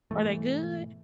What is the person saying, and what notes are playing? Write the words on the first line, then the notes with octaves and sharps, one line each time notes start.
Are they good?
G#2 B2 E3 A3